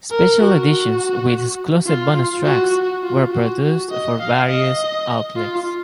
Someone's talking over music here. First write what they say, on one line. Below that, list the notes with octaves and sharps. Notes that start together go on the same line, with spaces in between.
Special editions with exclusive bonus tracks were produced for various outlets.
A#4
F#4
F#4
F4
F#4
F4
F#4
F#4
D#5
F5
D#5
F4